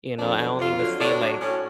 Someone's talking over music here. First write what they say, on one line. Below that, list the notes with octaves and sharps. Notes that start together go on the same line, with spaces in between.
you know, I only would see, like,
F2 D4
D3 F#3
F2 F4
D3 F#3
A2 D4
F#3
A2 C#4